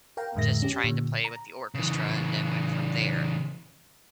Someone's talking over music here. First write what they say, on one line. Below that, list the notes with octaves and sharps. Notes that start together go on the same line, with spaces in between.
Just trying to play with the orchestra and then went from there,
A#4 F5 G5 A#5
F2 A2 D3 G#3 E5 A#6
C#4 G4
A#2 D3
A#5
C#3 E3